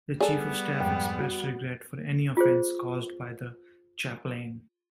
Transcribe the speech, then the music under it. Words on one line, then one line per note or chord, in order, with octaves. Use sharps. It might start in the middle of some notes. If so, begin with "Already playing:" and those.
The Chief of Staff expressed regret for any offence caused by the chaplain.
G3 B3 G#4 A4 D5
F2 G#2 G5
F#4
F4 G#4 C5